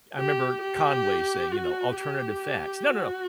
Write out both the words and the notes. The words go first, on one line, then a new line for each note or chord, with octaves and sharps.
I remember Conway saying, you know, "alternative facts." No, no, no.
G4
G4
F#4
G4
F#4